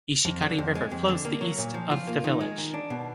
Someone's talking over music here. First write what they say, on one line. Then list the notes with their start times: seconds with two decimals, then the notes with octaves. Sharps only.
Ishikari River flows the east of the village.
0.25 F2
0.42 D3
0.58 F2
0.75 G#3
0.91 F2
1.08 D3
1.25 A#3
1.41 F#3
1.58 A#2
1.74 F3
1.91 F4
2.07 A#3
2.24 D#3
2.41 G#3
2.58 D#3
2.74 D4
2.90 B2